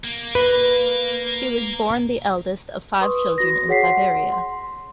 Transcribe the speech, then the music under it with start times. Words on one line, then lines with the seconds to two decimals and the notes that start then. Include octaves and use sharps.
She was born the eldest of five children in Siberia.
0.04 A#3
0.35 B4
3.01 B4 C6 C#6 D#6
3.38 F#4 A#6
3.68 G#4 C#5 F#5 B6 C7
3.83 F#5 C6
4.33 C6